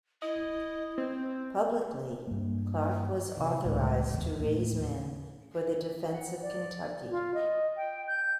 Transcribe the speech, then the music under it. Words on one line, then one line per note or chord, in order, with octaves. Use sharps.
Publicly, Clark was authorized to raise men for the defense of Kentucky.
E4 D#5
C4
G2 A#3
C3 E3
C#2 A2 G#3
D#1 E2
D#2 A2
F#5
D5
F4
D#5
G5
G6